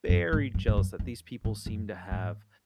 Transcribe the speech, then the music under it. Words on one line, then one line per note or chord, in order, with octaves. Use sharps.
very jealous that these people seem to have,
F#2
G#2
F#2
G#2
F#2
F2
G#2
F#2
G#2